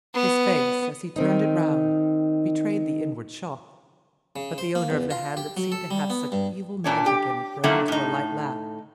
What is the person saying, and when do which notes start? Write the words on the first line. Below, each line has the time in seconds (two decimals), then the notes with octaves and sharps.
His face, as he turned it round, betrayed the inward shock; but the owner of the hand that seemed to have such evil magic in it broke into a light laugh.
0.14 B3
1.16 D#3 C4 D#4
4.36 C#3
4.58 C5
4.75 A#3
4.90 E2
5.10 F4
5.37 G4
5.57 F#3
5.72 A4
5.91 G3
6.10 B3
6.32 G2
6.84 A#2 D4 C#5
7.06 G4
7.64 D3 D#3 F#3 A#3 E4
7.88 A2 D#4